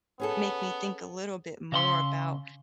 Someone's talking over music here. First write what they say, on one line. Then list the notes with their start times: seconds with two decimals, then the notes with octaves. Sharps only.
make me think a little bit more about
0.20 B3 C#4 G#4 A4
1.72 C#3 E5 C6